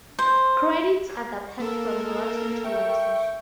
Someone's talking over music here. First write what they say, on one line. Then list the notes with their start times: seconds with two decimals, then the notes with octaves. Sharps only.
Credits adapted from Rotten Tomatoes.
0.19 C5
1.60 A#3 A4 A#4
2.64 E5 G5 C#6